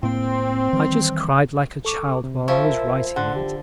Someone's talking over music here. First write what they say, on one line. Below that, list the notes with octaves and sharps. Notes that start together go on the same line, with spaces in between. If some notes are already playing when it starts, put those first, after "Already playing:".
I just cried like a child while I was writing it.
A2 A#3 C4
D#3 E3 G3
A4 C#6 D6
C3
F3 E4 E5 F5 C#6
A#4 E5
D3 F#5 C6 F#6
G4